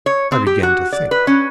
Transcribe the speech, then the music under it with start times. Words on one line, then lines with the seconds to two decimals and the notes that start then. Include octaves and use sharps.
I began to think.
0.06 C#5
0.32 C4
0.47 G4
0.63 F#4
0.93 D5
1.11 B4
1.27 C#4